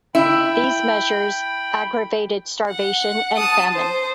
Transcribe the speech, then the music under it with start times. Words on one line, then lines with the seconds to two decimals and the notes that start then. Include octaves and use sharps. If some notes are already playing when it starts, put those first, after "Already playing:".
These measures aggravated starvation and famine.
0.15 E4 G5 B5
2.70 F#5
3.37 A5 D#6
3.73 C5